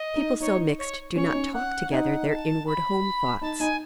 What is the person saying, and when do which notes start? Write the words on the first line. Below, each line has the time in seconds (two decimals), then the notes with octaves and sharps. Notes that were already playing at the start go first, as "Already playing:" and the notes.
People so mixed do not talk together their inward home thoughts.
Already playing: D#5
0.16 D#4
0.40 D#4 C#5
0.78 C#5
1.16 C#4 C#5
1.25 D#4
1.34 C#4
1.53 F#5
1.91 D#4 F#5 G#5
2.29 A5
2.67 B5
3.41 D#4 A5
3.60 D#4 G#5